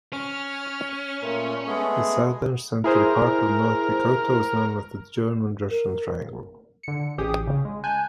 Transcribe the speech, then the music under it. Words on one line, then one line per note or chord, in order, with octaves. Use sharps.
The southern central part of North Dakota was known as "the German-Russian triangle".
C#4 F6
A#2 A3 A#4
G#3 A3 B3 G#4
E4 G#4 A#4 C5
A#4
D3 C#7
A1 G4 G#4 D#6
C#3
G#3
G#5 A5 F#6 G6